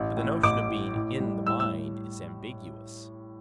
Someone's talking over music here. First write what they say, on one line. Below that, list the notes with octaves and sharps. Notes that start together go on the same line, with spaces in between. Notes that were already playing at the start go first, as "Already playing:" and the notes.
But the notion of being 'in' the mind is ambiguous.
Already playing: A1
A2
A1 D6
A2
A2
G3
A2 E6
E6